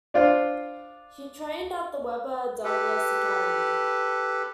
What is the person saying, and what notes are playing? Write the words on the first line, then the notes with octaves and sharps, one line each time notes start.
She trained at the Webber Douglas Academy.
D4 F4 C5
G4 A4 B4